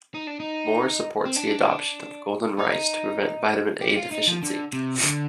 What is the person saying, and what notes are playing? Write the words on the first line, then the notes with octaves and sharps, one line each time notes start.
Moore supports the adoption of golden rice to prevent vitamin A deficiency.
D#4
D4
D#4
C4
D4
D#4
G4
F4
D#4
F3
D3
C3
D3